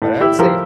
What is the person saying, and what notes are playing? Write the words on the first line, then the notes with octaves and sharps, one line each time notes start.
But I would say
A2
E4 G4
F3 G4 A#4